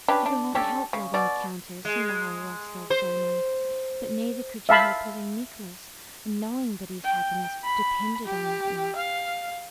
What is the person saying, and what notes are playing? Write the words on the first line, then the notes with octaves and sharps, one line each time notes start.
She could not help loving the countess and the whole Rostov family, but neither could she help loving Nicholas and knowing that his happiness depended on that love.
C#4 D4 G4 B4
D4
C#4 D4 G4 A4
C#3
B2 D5
G#3
C5
E5 F5 A5 B5
G5
B5
G4
F5